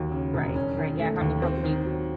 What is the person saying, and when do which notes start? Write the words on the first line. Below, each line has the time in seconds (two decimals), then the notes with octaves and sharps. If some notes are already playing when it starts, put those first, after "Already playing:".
Right, right, yeah, I mean, how can you
Already playing: D#2 F#3
0.12 C#3
0.34 E1
0.56 C#4
0.77 D#3
0.99 A3
1.21 D#2
1.42 C4
1.64 D#3
1.86 F#3